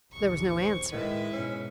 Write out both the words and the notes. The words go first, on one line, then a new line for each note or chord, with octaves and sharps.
There was no answer.
A#1 D#2 C#6
C5
A2 D#3 G#3 E4 B4 E5
G#2 B2 C#4